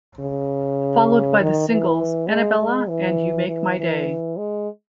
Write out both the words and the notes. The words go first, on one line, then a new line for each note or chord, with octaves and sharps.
Followed by the singles: "Annabella", and "You Make My Day".
C#3
D#3
E3
G#3
G#3
E3
E3
E3
G#3